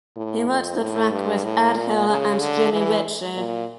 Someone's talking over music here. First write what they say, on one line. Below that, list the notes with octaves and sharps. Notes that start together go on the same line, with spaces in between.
He wrote the track with Ed Hill and Jimmy Ritchey.
A2
F2
A2
G2
A2
A#2
C#3
D3
E3
A#2